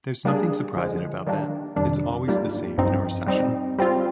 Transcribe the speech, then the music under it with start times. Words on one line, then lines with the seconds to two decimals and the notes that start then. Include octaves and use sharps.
There’s nothing surprising about that; it’s always the same in a recession.
0.25 G3 A#3 D4 G#4
0.76 D3 F3 G#3
1.26 D#3 G3 A#3 D4
1.76 F2 C3 D#3 G3 D4
2.27 G#2 G3 A#3 D4 F4
2.78 G2 F3 C4 D#4
3.27 G3 C4 D#4
3.78 G3 C4 F4